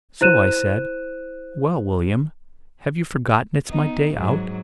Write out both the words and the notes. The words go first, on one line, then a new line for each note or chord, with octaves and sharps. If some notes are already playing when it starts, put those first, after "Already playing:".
So I said, 'Well, Willyum, have you forgotten it's my day out?
E4 C5 F#6 D#7 E7
B3 D#4
G#2 F#3